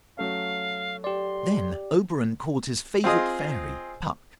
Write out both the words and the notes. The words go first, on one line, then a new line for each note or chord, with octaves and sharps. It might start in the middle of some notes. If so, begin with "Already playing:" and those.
Then Oberon called his favorite fairy, Puck.
F#3 A3 C#4 F5
G4 D5 C6
C4 F4 G#4 D#5